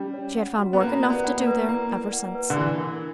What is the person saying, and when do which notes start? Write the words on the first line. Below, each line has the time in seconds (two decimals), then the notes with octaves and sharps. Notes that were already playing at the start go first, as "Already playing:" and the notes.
She had found work enough to do there ever since.
Already playing: G3 C#4
0.14 C#5
0.36 F#5
0.58 F#4
0.73 B3
0.80 A#3 E4
1.03 A#3 D5
1.10 B3
1.24 F#5
1.40 A#3
1.47 B4
1.68 A#3 E4
1.91 D5
2.13 F#5
2.35 B4
2.50 D3
2.56 E3 D4
2.78 A#4